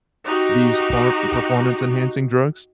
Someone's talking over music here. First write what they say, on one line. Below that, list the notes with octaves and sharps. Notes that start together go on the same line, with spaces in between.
these por performance-enhancing drugs?
D#4 F#4 G4